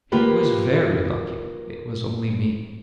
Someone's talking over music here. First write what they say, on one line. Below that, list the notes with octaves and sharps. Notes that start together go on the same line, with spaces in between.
It was very lucky it was only me.'
A#3 F4 G4 B4